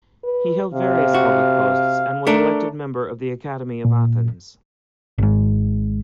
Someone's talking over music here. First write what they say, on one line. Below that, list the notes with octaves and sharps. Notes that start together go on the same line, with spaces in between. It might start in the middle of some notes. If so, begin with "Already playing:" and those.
He held various public posts and was elected member of the Academy of Athens.
B4
C3 F5
F#4
A3 D4 A#4
A#2
G#1 G#2